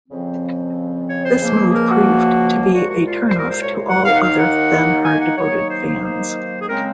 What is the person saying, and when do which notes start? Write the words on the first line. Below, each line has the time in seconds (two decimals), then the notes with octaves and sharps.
This move proved to be a turn-off to all other than her devoted fans.
0.09 F2 C#3 F3 C4
1.07 C#5
1.24 C5
1.41 C#2 C#3 F3 A#3
1.69 G#4
1.74 A#4
1.90 F#4
2.72 C2 A#2 G#3 F#4
2.90 F#4
3.06 F4
3.28 C5
3.38 A#4
3.50 C5
3.61 C#5
3.88 F#5
4.05 D#2 D#3 A#3 D#4 F5
4.14 F#5
4.21 F5
4.38 F#5
5.04 G#5
5.20 F#5
5.37 D#2 D#3 F#3 A#3 D#4 C#5
5.70 C5
5.86 C5
6.03 C5
6.61 G#4
6.68 C#3 G#3 C4 A#4